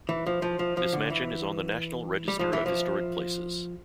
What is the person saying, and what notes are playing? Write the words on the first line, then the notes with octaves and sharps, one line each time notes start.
This mansion is on the National Register of Historic Places.
E3
F3
F3
F3
F3
D3
E3
G3
F3
E3
F3